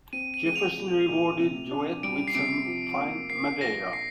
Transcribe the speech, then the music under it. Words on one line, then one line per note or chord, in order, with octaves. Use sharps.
Jefferson rewarded Jouett with some fine Madeira.
C4 D#7
D#7
G#3 D#7
F7
A#2
A#2
C3
D4
G3 D7
C7
C3 D7
F3
A#3
A#3 C7
A#1 A#6
C7